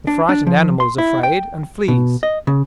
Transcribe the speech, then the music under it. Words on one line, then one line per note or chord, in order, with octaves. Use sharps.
The frightened animal is afraid and flees.
D4
D4
F3
C6
E4
G5
B2
D#5
C#3